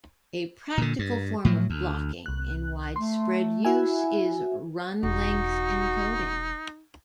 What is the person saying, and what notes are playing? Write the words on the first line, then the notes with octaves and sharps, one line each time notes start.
A practical form of blocking, in widespread use, is run-length encoding.
A#2 D3
G2
A2 F3 F#3
D2
C2 F#6
A3 C6
E4 F#4 E5 G#5
E1 D#4 F#4